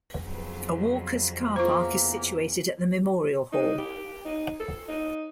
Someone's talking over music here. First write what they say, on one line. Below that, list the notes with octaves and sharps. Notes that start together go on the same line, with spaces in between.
A walkers' car park is situated at the Memorial Hall.
F2 C#3 F#3 B3
E2 C#3 E3 A#3 F4 C5
D#4
G4
D#4
A4
D#4